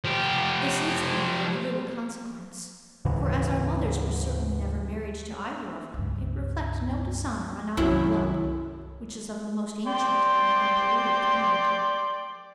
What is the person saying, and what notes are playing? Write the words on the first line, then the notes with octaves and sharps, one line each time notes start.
This is however of little consequence for as our Mothers were certainly never married to either of them it reflects no Dishonour on our Blood, which is of a most ancient and unpolluted kind.
F3 G4
D2 G#2 C#3 E3
C#2 G2
C2 F#2 D#3 E4
D5 G5 C6